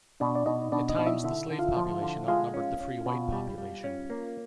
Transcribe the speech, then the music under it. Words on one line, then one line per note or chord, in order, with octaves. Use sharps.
At times the slave population outnumbered the free white population.
B2 D4 D5
D5
B2 D#4 D#5
B2 D4 D5
D#4 D#5
B2
E4 E5
D3 E4 E5
D3
F4 F5
F3
D3
G#3 F4 F5
C#4
C#4
B2
G3
G3
C#4
A#3